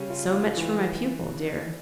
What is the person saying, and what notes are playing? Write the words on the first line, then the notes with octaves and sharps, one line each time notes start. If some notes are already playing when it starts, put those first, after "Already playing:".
So much for my pupil, dear!
Already playing: C#3 G3 C#4
F4
F4
E3